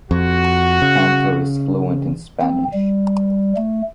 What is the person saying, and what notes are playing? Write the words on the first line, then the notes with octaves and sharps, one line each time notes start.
Cantor is fluent in Spanish.
F2 F#4
C#3
C4
G3
A3